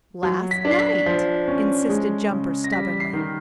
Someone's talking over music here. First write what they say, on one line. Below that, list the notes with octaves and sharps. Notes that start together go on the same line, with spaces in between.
"Last night," insisted Jumper stubbornly.
F#3
B6
D4
C7
B6
F3
C#4
G#3
C#3
A#6
G3 B6
C7
D#3